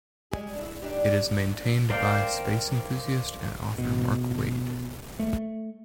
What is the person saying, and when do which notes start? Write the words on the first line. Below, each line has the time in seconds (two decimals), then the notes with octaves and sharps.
It is maintained by space enthusiast and author Mark Wade.
0.32 G3 G#3 G#4
0.55 D4 E4
0.82 D4 D#4 G4
1.90 A#4 C5 D5 F5 G5
3.78 B2
5.19 A3